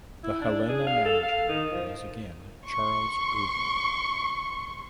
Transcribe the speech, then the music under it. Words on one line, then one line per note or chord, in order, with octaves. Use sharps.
The Helena manager was again Charles Irby.
E4
D4
G#4
F5
A4
F5
D#3
F3
C6 C#6